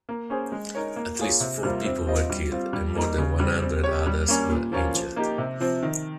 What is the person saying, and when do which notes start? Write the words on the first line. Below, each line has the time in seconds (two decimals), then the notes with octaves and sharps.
At least four people were killed and more than one hundred others were injured.
0.09 A#3
0.30 C#4 G#4 C5
0.52 G#3
0.75 D#4 A#4 C#5
0.96 A#3
1.19 F4 G#4 C#5
1.40 C3
1.63 G3 A#3 F4 C5
1.86 C4
2.06 F4 C5 D#5
2.30 G3
2.52 C4 F4
2.73 G3
2.96 A#3 D#4
3.18 C#3
3.40 G3 C4
3.62 C4
3.83 G4 C#5
4.06 G3
4.28 A#3 C#4
4.49 A#2
4.72 F3 A#3 C#4 F4
4.94 F3
5.16 A#3 D#4 G4
5.38 C3
5.60 F3 C4
5.83 D#3